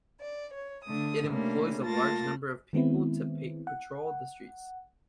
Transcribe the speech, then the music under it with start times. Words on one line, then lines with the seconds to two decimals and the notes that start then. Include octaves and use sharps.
It employs a large number of people to patrol the streets.
0.19 D5
0.54 C#5
0.85 D3 A3 D#6
1.27 C3 G3 A3 A#3 C#4 D4
1.84 A3 A#3 F4 A5 A6 A#6
2.73 D#3 G#3 B3 C4 E4
3.67 F#5